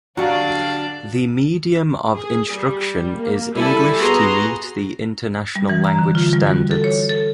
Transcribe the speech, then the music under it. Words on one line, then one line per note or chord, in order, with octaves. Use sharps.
The medium of instruction is English to meet the international language standards.
D3 F#3 G3 D4 F#4 D5 F5
G#4
G3
A#3
G3 E4 A4 G#5
B3 F#4 G#4 A#5 C6
G3
E3
A#5
D3
F4
G3
F#4
A4
C#5
A4